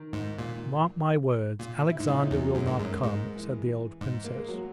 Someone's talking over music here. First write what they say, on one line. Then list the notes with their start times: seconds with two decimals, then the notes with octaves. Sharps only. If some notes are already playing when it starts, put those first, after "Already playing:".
"Mark my words, Alexander will not come," said the old princess.
Already playing: D#3
0.13 G#2
0.39 A#2
1.59 A#2
1.91 E4
1.99 G#2 D#4
2.07 A#2 C#4
2.23 D#4
2.31 E2
2.39 F#3
2.55 F#2 G#3
2.66 G#2 A#3
2.78 F#2 G#3
3.03 G#2 G#3
3.36 E3
4.01 G#2
4.24 A#3
4.36 G#3
4.48 F#3